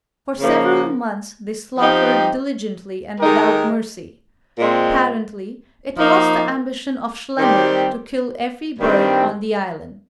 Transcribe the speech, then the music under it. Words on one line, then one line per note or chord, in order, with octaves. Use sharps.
For several months they slaughtered diligently and without mercy. Apparently it was the ambition of Schlemmer to kill every bird on the island.
C#3 F3 A#3
F3 C4 D#4 G4
D#3 G#3 D#4 G4 A#4
A#2 G#3 C4
F3 A#3 D#4
D#3 G3 C4 G4 C5
G2 D#3 G3 C4